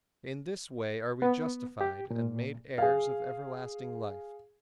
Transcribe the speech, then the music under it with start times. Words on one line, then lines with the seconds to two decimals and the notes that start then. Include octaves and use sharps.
In this way are we justified and made heirs of everlasting life.
1.22 B3
1.81 G4
2.11 A#2
2.78 G#4 F5